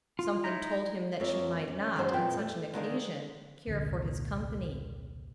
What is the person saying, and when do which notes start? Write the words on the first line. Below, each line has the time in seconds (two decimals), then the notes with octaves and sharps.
Something told him that she might not, on such an occasion, care for his company.
0.19 F4
0.44 D#4 E4 A#5
1.20 F2 A#3 C#5 E5
1.68 C#4
1.96 F#2 F#3 G#3 C#4 C5 A5
2.13 F2 A#2 E3 G5
2.38 A3
2.73 D3 D#3 G#3 A#3 D4 D#4
3.67 E1 C2 A#2 D3